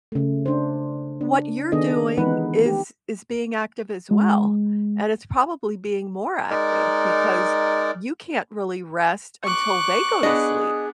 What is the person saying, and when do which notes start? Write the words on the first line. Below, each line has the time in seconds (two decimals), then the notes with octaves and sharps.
what you're doing is is being active as well, and it's probably being more active because you can't really rest until they go to sleep.
0.12 C#3 A3
0.46 D4 C5
1.21 D4
1.72 D#3 B3 D4 G#4 A4 D#5
2.17 E3 G#3 B3 D#4 B4 F#5
2.66 G4
4.11 G#3
6.50 G#3 D#4 A#4 D5
9.44 C#6 D6 F#6
10.23 B3 D4 G#4 D#5